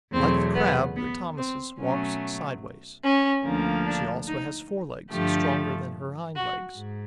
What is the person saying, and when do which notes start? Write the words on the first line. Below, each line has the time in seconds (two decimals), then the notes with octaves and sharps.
Like the Crab, the Thomisus walks sideways; she also has forelegs stronger than her hind-legs.
0.13 E2 B2 F#3 A3 C4
0.55 B3
0.96 B3
1.38 C4
1.79 B2 F#3 A3 C#4
3.03 C#4
3.44 D2 D3 F3 A#3
3.86 D4
4.28 D#4
5.10 G2 D3 F3 A3 G4
6.35 F#4
6.77 G#2